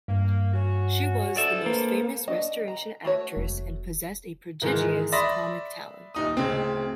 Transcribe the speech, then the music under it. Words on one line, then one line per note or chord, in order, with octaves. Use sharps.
She was the most famous Restoration actress and possessed a prodigious comic talent.
G2 A#3
C#4 F#4
D3 F3 A4 D5 E5
A#3 B4 C5
F#3 D4 D#5
A#5
A3 F#4 C#5
F1
G#2 D#3 E3 G#3
D5 E5 B5 C6 D#6 A#6
D#1 D#4 D#6
D1 C#3 C4